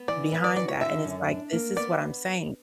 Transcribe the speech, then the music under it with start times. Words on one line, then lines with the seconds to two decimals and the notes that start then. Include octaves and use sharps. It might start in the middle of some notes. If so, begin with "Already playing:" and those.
behind that. And it's like, this is what I'm saying.
Already playing: B3
0.08 E3 D5
0.32 B4
0.44 D5
0.56 F#4 D5
0.68 C#5
0.81 D3 E5
1.04 F#2
1.28 D4
1.52 A#3
1.76 B3 D5